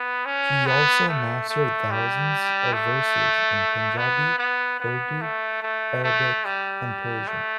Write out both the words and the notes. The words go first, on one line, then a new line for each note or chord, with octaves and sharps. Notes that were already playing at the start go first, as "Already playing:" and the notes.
He also mastered thousands of verses in Punjabi, Urdu, Arabic and Persian.
Already playing: B3
C#4
B3
A3
A3
G3
A3
B3
B3
B3
A3
A3
A3
G3
A3